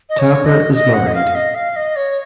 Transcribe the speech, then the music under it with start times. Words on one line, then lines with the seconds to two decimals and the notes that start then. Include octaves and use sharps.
Tapper is married.
0.09 D#5
0.19 C#5
0.45 D#5
0.74 D#5
0.94 F#5
1.07 D#5
1.15 F5
1.35 D#5
1.55 F5
1.76 D#5
1.96 C#5